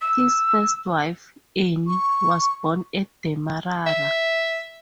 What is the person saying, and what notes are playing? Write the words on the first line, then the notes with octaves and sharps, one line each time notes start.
His first wife, Annie, was born at Demarara.
E6
C#6
E5